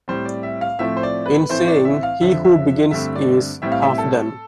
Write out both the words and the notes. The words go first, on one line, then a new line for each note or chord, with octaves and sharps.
In saying, He who begins is half done.
A2 G3 C4 C5
D5
E5
F5
A2 F3 A3 C4 E5
C5
D5
B4
A2 E3 A3 C4 C5
D5
E5
F5
F2 D3 F3 E5
E5
E5
G2 D3 A3 C4 E5
D5
A2 G3 C4 E5
F5
E5
A4